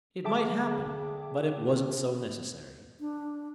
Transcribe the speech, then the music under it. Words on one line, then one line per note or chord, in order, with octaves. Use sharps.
It might happen, but it wasn't so necessary....
D3 G#4 E5 G5 A5 D6
D4